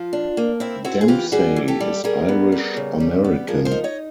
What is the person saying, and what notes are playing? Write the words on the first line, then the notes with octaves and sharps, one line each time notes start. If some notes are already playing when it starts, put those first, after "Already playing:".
Dempsey is Irish American.
Already playing: F3 F4
D4
A#3
C4 E4
C4 E4 F#4
G#4
E3 F4 G4
G3 F#4 G#4
E3
G4 A4
G3
G3 G#4 A#4
B3
G3
C#3
G3
B3
F3 G#4 A#4
A#4 C5
D#4
C#5 D#5